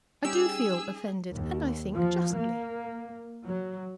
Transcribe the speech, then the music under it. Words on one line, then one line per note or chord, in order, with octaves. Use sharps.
'I do feel offended; and, I think, justly.
G3 C#4 D#4 G4 G#4 E6
D#2
F3
A#3
F#3